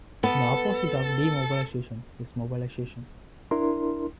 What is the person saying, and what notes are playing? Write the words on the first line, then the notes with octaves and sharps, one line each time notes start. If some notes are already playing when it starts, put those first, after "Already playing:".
The opposite of demobilization is mobilization.
B3 A4
D4 E4 A#4 C6